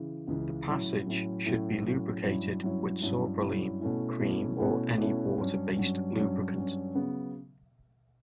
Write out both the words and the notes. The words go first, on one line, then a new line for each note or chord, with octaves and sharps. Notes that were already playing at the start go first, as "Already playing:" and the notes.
The passage should be lubricated with sorbolene cream or any water-based lubricant.
Already playing: C#3 E3
C#2 C#3 E3
A2 F#3 C#4 E4
A2 F#3 C#4 E4
A2 F#3 C#4 E4
A2 F#3 C#4 E4
G2 F#3 C#4 E4
G2 F#3 C#4 E4
G2 F#3 C#4 E4
G2 F#3 C#4 E4
B2 A3 C#4 E4
B2 A3 C#4 E4
B2 A3 C#4 E4
B2 A3 C#4 E4
G2 F#3 C#4
G2 F#3 C#4
G2 F#3 C#4
G2 F#3 C#4
C#3 F#3 B3